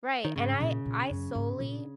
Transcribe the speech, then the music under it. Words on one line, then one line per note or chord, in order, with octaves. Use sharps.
Right, and I I solely
D#3
G#2 C#3
A#2
A#2
F#2
G#2
A#2